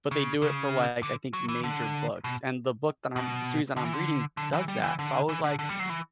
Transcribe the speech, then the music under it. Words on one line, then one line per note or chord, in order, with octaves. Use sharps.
but they do it for, like, I think major books, and the book that I'm the series that I'm reading does that, so I was like,
C#3
C#3
D3
F#3
E3
D3
B2
B2
D3
E3
D3
D3
E3
G3
E3
D3
E3
D3
D3
G3
F#3
E3